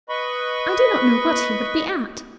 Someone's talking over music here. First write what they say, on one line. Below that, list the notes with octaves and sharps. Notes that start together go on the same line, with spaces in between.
I do not know what he would be at.
B4 D#5 B5 C#6